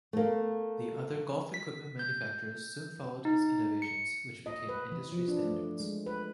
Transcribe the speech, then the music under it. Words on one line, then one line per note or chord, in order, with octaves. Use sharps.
The other golf equipment manufacturers soon followed his innovations, which became industry standards.
A3 A#3
B6
G6
D#4
C#7
D#5
B4
E3
F3
D4
A3
G#3
B4